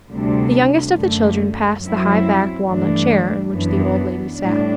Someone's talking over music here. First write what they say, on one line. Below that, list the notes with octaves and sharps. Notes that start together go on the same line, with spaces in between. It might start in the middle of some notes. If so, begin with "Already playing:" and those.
The youngest of the children passed the high-backed walnut chair in which the old lady sat.
D2 C3 G3 D4
F#2 D3 A3
F#2 F#3 C4 E4
G2 E3 A3 D4
F#2 E3 B3 D4
A2 G3 D4